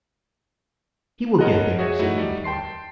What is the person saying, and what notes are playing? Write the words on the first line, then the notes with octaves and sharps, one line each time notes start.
"He will get there!" said the reporter.
A#4 C#5 D#5 F#5 A5 F#6
F#4 G#4 C#5 E5
A3 D#4 E4 F#4
G3 D#4
G5 A5 C6 C7